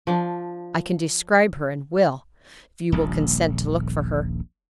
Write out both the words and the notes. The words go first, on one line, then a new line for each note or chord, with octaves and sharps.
I can describe her, and will, if you will consent to look for her.
F3 D4
D#1 A#1